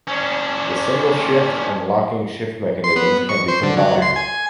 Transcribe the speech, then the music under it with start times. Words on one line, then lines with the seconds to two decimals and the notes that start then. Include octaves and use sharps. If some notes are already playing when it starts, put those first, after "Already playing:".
The single shift and locking shift mechanisms can be combined.
0.07 C#4 D4
2.84 C6
2.96 B3
3.29 C#6
3.48 C5
3.63 D3
3.77 F#3
4.02 C6
4.16 G#5